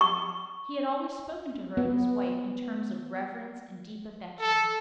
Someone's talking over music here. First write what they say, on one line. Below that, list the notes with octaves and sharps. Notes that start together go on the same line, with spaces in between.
He had always spoken to her of his wife in terms of reverence and deep affection.
C#6
B3
A4